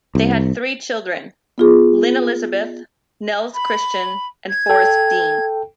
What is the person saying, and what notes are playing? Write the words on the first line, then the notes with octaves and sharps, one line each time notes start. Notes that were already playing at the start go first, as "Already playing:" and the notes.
They had three children: Lynn Elizabeth, Nels Christian, and Forrest Dean.
C2
B3 F4 G#4
B5
G#6
A4 G5